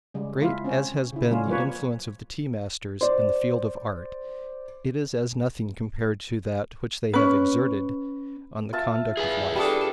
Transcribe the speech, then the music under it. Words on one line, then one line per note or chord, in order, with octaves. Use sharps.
Great as has been the influence of the tea-masters in the field of art, it is as nothing compared to that which they have exerted on the conduct of life.
C#3 G3 G#3
G#3 E4 F4
C4 C#4
C#3 E4
G3 C#4 F4
F3 G3 A#3 B4 C#5
C5 D5
C#4 B4
F4 E5 A5
G#4 B4 G#5
G3 D4 A4 A5 D#6